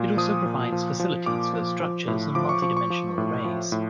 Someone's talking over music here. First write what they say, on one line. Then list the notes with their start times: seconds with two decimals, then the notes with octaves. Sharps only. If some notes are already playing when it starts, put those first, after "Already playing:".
It also provides facilities for structures and multi-dimensional arrays.
Already playing: A#2
0.17 F3 D#6
0.46 A#2
0.72 F3
1.00 F3
1.26 A#2 D6
1.54 F3
1.82 F3
2.08 A2
2.35 F3 D6
2.49 C#6
2.62 F3 C#6
2.77 C#6
2.90 F3
3.18 A2
3.45 F3
3.72 A2